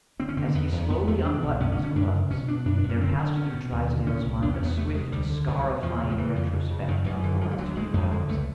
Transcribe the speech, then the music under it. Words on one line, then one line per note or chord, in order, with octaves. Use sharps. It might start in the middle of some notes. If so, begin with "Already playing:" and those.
As he slowly unbuttoned his gloves, there passed through Trysdale's mind a swift, scarifying retrospect of the last few hours.
D3 C4
C#4
D3 C4
A#3
E2 B3
E2
E2 B3
E2 A3
B2 D4
C2
F#2 C#4
C#4
D3
C#4
F#2 D4
C#3
B2 C#4
B2 D4
F#2 D4
D4
F#2
C#4
D3 C4
D3
B2 C#4
B2
D#2
D3
A#2 C#4
C2
E2 D4
C#4
E2
B3
C3 A3
C3 G#3
D2 G3
D3
C2 F#3
B2
E2 F3
C#3
F3
C#3 E3
F2
C#3
C#3
F#2 D#3
F#2 E3
D3 E3
D3 F3
G3
D2 F#3
D2 G#3
F2 G#3
D3 G#3
C#2 A3